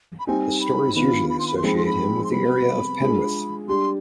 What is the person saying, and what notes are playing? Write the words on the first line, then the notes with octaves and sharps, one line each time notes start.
The stories usually associate him with the area of Penwith.
B5
G3 C4 D#4 G#5
B5
D#3 B3 D4 F4 B5
B5
C6
B5
C6
F3 G#3 C4 D#4 G#4 B5
C6
B5
C6
C3 G3 B3 B5
G#3 D4 F4 G#4
G3 D4 G4 C6